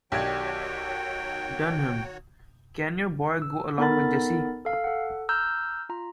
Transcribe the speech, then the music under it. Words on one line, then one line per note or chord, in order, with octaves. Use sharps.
Dunham, can your boy go along with Jesse.
B1 D#3 F#4 G4 C#5 D5 G5 G#6
E6
B3 D#4 A4 A#4 B5 A6
A4 F5
A4 F#5
A#5 E6 F6 G6
F4 A#5